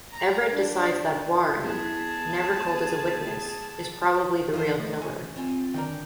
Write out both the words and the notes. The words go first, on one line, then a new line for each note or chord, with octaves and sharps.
Everett decides that Warren, never called as a witness, is probably the real killer.
A#5
D4
B3 E4 G#4 A5
E3 F4 A4 C5 D#5
A3
C#4
C4 F4 G#5
D3 D#3 D4 A#4 D5 G5